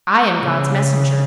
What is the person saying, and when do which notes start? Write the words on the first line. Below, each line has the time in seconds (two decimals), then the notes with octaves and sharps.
I am God's messenger.
0.42 C#3